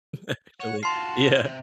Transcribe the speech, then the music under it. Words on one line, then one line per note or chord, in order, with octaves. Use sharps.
actually." Yeah.
C#5 F#5
F4 F#4 A5 C6 C7
C3